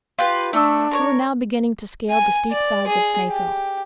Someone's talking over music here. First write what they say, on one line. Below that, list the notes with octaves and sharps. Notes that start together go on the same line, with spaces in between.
We were now beginning to scale the steep sides of Snaefell.
F4 G4 B4
A3 D4 E6
A#4 C5 C#5
G#5
D5
G#4
G4